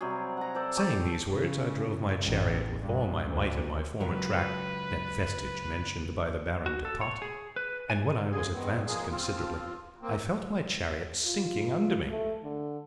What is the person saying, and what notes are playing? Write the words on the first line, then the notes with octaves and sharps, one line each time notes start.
Saying these words, I drove my chariot with all my might in my former track, that vestige mentioned by the Baron de Tott, and when I was advanced considerably, I felt my chariot sinking under me.
C3 F#3 G3 G#4
F#5 A#5
A4 C5 D5
C#5 D5 G5 A5
C#3
A1
G2
D2
C#2 F#3 A#4 B4
F#4
A4
C#5
G#4
B4
G#5
F#2 C#3 G#3 G#4 G#5
D#3 B3 C4
F3 G#3 A#3 G#4
F3 C4 F4
A#3 C4
F4
A3
D3